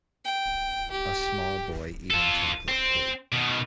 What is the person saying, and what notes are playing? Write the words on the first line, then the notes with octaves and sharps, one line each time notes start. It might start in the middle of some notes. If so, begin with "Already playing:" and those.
A small boy eating chocolate cake.
G5
G4
F4 A4
C4
B2 D#3